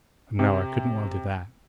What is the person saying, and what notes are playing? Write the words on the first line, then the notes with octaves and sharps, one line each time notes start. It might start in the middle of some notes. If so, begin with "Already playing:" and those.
No, I couldn't well do that.
C3